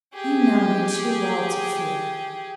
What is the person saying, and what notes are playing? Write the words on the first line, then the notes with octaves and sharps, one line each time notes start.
'You know me too well to fear.'
G4 G#4